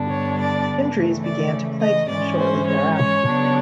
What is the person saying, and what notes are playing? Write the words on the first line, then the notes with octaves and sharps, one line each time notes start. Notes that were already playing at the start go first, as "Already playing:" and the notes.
Injuries began to plague him shortly thereafter.
Already playing: G2 D3 G3 B3 D4
C#5
D5
C#3 E3 A3
D5
D#5
G#2 E3 G#3 C#4 D5
C5
C#5
C#5
C#3 F#3 B3 D4